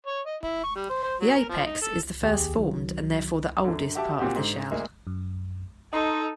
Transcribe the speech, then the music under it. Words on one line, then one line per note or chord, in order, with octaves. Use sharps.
The apex is the first-formed, and therefore the oldest, part of the shell.
C#5
D#5
E4
C#6
G3
C5
C5
F#3
A#4
F3
D#4
A4
D#2 G4 G#4
D#3 F#3
F#2 D3
F#4 G4 E5 F#5 A5 D6
A#2 C4 F#4 G4
G#2 D3
D2 G#3 A#3 D4
F#2
D#4 A4 D#5 A#5 C6